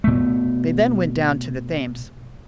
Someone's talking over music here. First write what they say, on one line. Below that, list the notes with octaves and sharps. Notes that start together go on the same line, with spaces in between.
They then went down to the Thames.
B2 A3